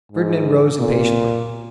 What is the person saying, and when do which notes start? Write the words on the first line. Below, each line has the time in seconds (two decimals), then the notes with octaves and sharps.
Fernand rose impatiently.
0.12 G#2
0.80 A#2